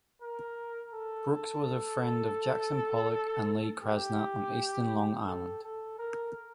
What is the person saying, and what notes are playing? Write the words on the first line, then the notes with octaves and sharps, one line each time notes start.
Brooks was a friend of Jackson Pollock and Lee Krasner on Eastern Long Island.
A#4
A4
G4
A4
A4
A#4